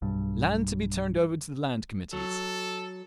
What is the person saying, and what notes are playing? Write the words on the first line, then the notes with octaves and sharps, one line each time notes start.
Land to be turned over to the Land Committees.
B1 G2
F#3 A4